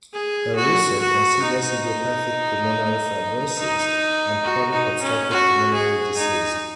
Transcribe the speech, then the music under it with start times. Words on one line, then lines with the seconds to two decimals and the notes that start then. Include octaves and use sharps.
Her research considers idiopathic pulmonary fibrosis and chronic obstructive pulmonary disease.
0.13 G#4
0.55 F#4
1.00 F#4
1.42 D#4
3.58 D#4
4.44 F#4
4.73 D#4
5.02 C#4
5.31 F#4
5.73 G#4
6.17 D#4